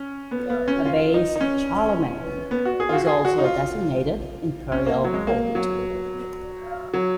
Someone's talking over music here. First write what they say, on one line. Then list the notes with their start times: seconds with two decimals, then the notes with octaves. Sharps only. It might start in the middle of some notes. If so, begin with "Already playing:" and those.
A base Charlemagne was also designated imperial court.
Already playing: C#4
0.31 B3
0.50 B3
0.68 C#4
0.85 F4
1.14 D#4
1.36 D#4
1.41 C#4
2.51 B3
2.65 F#4
2.80 G#4
2.89 F4
2.93 F#4
3.07 G#4
3.25 F#4
3.38 D#4
3.44 F4
4.72 C#4
4.86 A#3
5.04 F#3
5.14 G#3
5.27 A#3
5.55 F#3
6.94 F#3